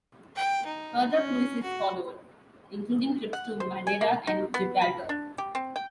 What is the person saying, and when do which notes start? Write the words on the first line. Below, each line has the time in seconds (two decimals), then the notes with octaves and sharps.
Further cruises followed, including trips to Madeira and Gibraltar.
0.36 G5
0.65 D#4
1.13 C#4
1.63 F#4
3.33 F#5
3.60 C5
3.87 G#5
4.01 A#3
4.27 D#4
4.54 B3
4.82 B5
5.09 D4
5.38 G4
5.55 C4
5.76 G5